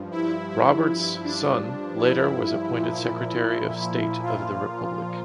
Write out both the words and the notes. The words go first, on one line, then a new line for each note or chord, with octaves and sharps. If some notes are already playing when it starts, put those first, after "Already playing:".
Roberts' son later was appointed Secretary of State of the Republic.
Already playing: G2 F3
E4
E4
D4
E4
A#2 F3
F4